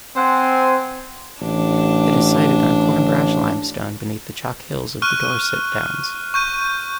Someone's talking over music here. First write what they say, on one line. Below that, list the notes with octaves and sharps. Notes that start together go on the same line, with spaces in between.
It is sited on Cornbrash limestone beneath the chalk hills of the Dorset Downs.
C4 C5 F#5 G#5
A1 D4
C#6 F6 F#6 D#7
C#6 G6 D#7